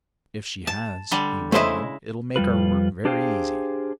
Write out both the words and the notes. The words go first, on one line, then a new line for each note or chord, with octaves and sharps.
"If she has," he went on, "it'll make our work very easy."
A5
D3 G3
C#3 G#3 A3 E4 C5 D#5
F2 G3 F4 B4
D4 G4 G#4 C5 F5 G5